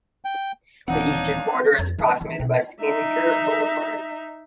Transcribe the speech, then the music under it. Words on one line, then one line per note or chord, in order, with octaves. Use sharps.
The eastern border is approximated by Skinker Boulevard.
G5
D#1 E3 C4 D4 D#4 C#5 F5 F#5
F2
E3
E3
B2
D#4 E5